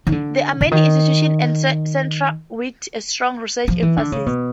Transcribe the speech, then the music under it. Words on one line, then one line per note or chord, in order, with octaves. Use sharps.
There are many institutes and centres with a strong research emphasis.
D#3
D3
D3
D#3
F3
E3
D3
C#3
B2